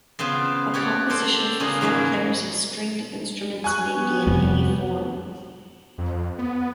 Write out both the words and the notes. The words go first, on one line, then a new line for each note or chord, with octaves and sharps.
A composition for four players of stringed instruments may be in any form.
C#3 B3 C4 F4
F#4 G4 C#5 D5
A4 C5 D5
C#3 A#3 B3 C#4 F4 A#4
G#2 F#3 A#3 C#4
G#5 C#6 F#6
B3 G4
F2 C3 G3
F2
B3